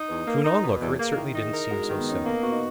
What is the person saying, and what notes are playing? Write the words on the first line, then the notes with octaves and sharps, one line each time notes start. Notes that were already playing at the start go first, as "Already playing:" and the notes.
To an onlooker it certainly didn't seem so simple.
Already playing: D#4
E2 B4
A#3
A#4
D#4
B2 B4
E2 B4
A#3 G#4
D#4
D#3 E4
D#4
G#4
A#4
G#3 F#4
D#3 D#4
B3
C#4 D#4
A#3 B3
B3 F#4
D#4